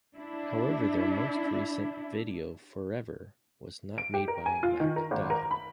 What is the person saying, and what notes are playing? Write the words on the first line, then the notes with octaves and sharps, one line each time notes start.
However, their most recent video, "Forever", was not made by Mack Dawg.
D4 E4
D7
G4
A#4
G#5
F4
D#3
A#4
G#1
A#4
B5